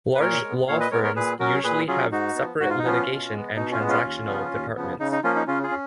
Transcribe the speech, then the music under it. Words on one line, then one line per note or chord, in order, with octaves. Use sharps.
Large law firms usually have separate litigation and transactional departments.
B4
A#2 A#4 C#5
G#3
B3
A#2 C#5 F5
B4 D#5
G#3 B3 A#4 C#5
A#4 C#5
A#2 G#4 B4
F#3 C#4 F#4 A#4
C#5
A#2 G#4 B4
F#3 C#4 F4 G#4
G#2 D#4 F#4
F3 B3
G#2 F#4
F4
D#4
F3 B3 C#4 F4
B2
G#3 B3
B2 D#4
C#4 F4
G#3 B3
C#4 F4
D#2
C#3 F3 B3
D#2
C#3 F3 B3
C#3 D#4
D#4
F3 A#3 C#4 F4
D#4
C#3 C#4 F4
F4 G#4
C#4